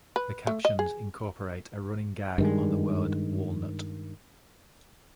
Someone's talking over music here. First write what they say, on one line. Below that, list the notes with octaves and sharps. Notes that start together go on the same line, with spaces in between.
The captions incorporate a running gag on the word "walnut".
B4
A3
D#5
G#4
G2 D#3 G#3